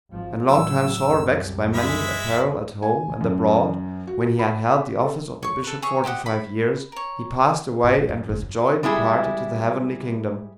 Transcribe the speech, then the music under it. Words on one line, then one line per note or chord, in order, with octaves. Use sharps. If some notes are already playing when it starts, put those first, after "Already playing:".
And long time sore vexed by many a peril at home and abroad, when he had held the office of a bishop forty-five years, he passed away and with joy departed to the heavenly kingdom.
G#1 F3
A1 F#3 E6
C2 F#2
G#3 E5 B5
G#5
F#2
F#4
B5
A4
C#5 C#6
A4 B4
G#4 C#5 E5 C#6
G4 C5 D#5 F#5
B5
A#4 C#5
G#2
A#2
F#2
F#1
F#2
G3 G#3 E4 G#4